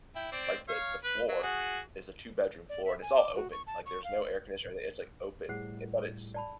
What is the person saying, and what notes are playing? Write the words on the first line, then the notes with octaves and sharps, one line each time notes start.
like, the the floor is a two bedroom floor, and it's all open. Like, there's no air conditioner or a it's, like, open, eh, but it's
E4 G5
C4 D5
C#5 F5
B4
F#3
F#4 G#4
D5
E5
G#5
D6
F#4
C#6
A5
C#6
F5
A2 G3 G#4 C5 F#5
D5 A5 B5